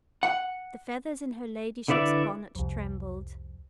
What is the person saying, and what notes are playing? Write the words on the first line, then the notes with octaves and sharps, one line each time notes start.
The feathers in her ladyship's bonnet trembled.
F#5
D3 E4 B4 D5 E5
C2 F2